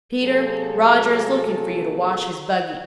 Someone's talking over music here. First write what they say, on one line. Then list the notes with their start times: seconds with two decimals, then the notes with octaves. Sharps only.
Peter, Roger is looking for you to wash his buggy.
0.21 C3 F#3 A#3 F#4 G#4 A4